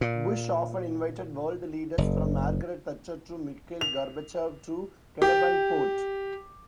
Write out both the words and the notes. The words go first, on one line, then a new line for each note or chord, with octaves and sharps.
Bush often invited world leaders, from Margaret Thatcher to Mikhail Gorbachev, to Kennebunkport.
A#2
F#1
F7
G4